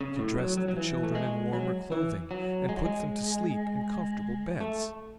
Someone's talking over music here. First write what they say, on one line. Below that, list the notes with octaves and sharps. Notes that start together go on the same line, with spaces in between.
She dressed the children in warmer clothing and put them to sleep in comfortable beds.
C#3
A2
F#3
F#3
F#3
E3
A3
G#3
F#3
E3
F#3
G#3
F#3
G#3
A3